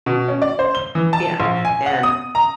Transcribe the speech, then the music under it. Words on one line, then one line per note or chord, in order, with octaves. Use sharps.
Yeah, and,
B2
C#4
D5
C5
G7
E3
A5
A#1
G#5
F#5
D#6
A#5